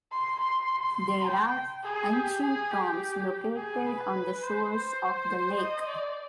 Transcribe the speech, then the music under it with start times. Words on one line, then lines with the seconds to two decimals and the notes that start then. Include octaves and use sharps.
There are ancient tombs located on the shores of the lake.
0.12 C6
0.41 C6
1.27 G5
1.84 G#4
2.13 G4
2.41 G#4
2.71 G4
3.57 G#4
3.86 B4
4.43 C5
4.72 C5
5.58 D#5
5.87 D5